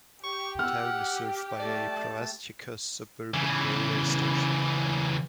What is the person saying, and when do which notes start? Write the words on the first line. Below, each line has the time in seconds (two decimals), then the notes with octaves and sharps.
The town is served by a Proastiakos suburban railway station.
0.24 G4 C#6
0.59 F#5 E6 F6
1.60 A3 D5 A5
3.34 C#3 E3